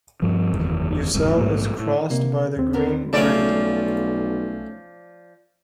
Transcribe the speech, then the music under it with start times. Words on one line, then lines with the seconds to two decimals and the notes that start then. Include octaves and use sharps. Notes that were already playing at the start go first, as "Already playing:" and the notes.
Ussel is crossed by the Green Meridian.
0.22 G2 F3 G3
0.52 F#1 E2 D#3
1.14 E1 C#2 G2 C3
1.37 A#1 G#2 A#3
1.79 A2
2.10 C3 A#3
2.56 D#2 C4
2.73 D3 B3 A#4
3.13 B1 F3 A3 C#4 D5 F5